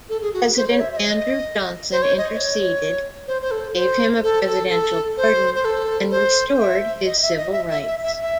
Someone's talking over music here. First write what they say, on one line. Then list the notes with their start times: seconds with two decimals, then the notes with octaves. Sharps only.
President Andrew Johnson interceded, gave him a Presidential pardon, and restored his civil rights.
0.09 A4
0.21 G#4
0.33 F#4
0.56 C5
0.69 C#5
0.80 E5
0.93 E5
0.97 D#5
1.92 C5
2.02 C#5
2.18 D#5
2.34 D#5
2.38 C#5
3.27 C5
3.42 C5
3.51 A4
3.75 C5
4.23 A4
4.47 A4
4.69 A4
5.17 C5
5.55 C5
5.65 A4
6.11 C5
6.59 E5
7.06 D#5
7.22 E5
7.37 D#5
7.53 E5
7.70 E5
7.87 E5
8.03 E5
8.21 E5